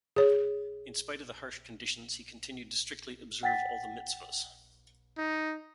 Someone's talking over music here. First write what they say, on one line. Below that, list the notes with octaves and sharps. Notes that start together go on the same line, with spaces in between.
In spite of the harsh conditions, he continued to strictly observe all the mitzvos.
G#4 C#5
F#5 G5 A6 B6
D#4